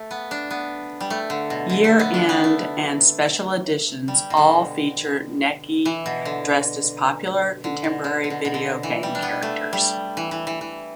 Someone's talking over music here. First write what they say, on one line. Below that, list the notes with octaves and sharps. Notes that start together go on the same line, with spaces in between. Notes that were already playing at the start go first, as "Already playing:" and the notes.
Year-end and special editions all feature Necky dressed as popular contemporary video game characters.
Already playing: A3
B3
D4
B3
G3
A3
D3
B2
D3
A3
B3
D4
B3
A3
G3
B2
D3
E3
B2
D3
D3
B2
D3
D3
B2
B2
D3
E3
G3
D4
B3
A3
G3
E3
E3
E3
E3